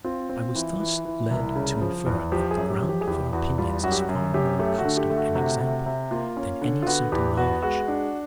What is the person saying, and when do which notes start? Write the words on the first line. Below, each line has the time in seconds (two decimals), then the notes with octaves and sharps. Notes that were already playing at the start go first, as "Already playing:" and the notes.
I was thus led to infer that the ground of our opinions is far more custom and example than any certain knowledge.
0.04 C4 F4
0.29 C4
0.55 E3
0.80 E3
1.05 E3
1.31 C2
1.56 C#3
1.81 F3
2.06 E2
2.32 F3 G4
2.51 G#4
2.57 F#2
2.70 G4
2.83 F3
2.89 G4
3.01 G#4
3.07 E2 G4
3.33 E2 F#4
3.58 G3 F4
3.83 F#2 F#4
3.92 G4
4.00 F#4
4.09 F#2
4.34 F#2 G4
4.59 A3 G4
4.79 F#4
4.85 D3
4.97 G4
5.10 A3
5.16 F#4
5.35 C3 F#4
5.60 C3
5.86 C3
6.11 A#3 F4
6.37 C#4
6.62 D3
6.82 F4
6.87 B3 F#4
7.12 E2 G4
7.37 B3 F#4
7.62 G#3 F#4
7.88 D4